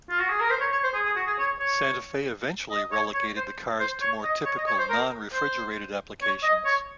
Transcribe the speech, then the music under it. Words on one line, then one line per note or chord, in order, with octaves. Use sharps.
Santa Fe eventually relegated the cars to more typical, non-refrigerated applications.
F4
F#4
G#4
A#4
C5
C#5
C#5
C5
G#4
G#4
F#4
G#4
C#5
C#5
D#5
C#5
C#5
C5
C5
C#5
D#5
C#5
D#5
C#5
C5
A#4
C5
C#5
D#5
C#5